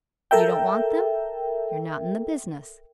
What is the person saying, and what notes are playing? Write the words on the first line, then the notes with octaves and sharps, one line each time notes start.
You don't want them--you're not in the business.
A4 A#4 E5 G5